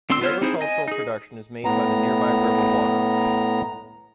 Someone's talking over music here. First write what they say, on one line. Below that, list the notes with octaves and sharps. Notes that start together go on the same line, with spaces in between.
The agricultural production is made by the nearby river water.
D3 C4 D4 C6 E6
B3 F4 C5 C#5 F6
C4 D#4 E4 G#4 C5
D#5 G#5
D#4 G#4
A2 B3 A#5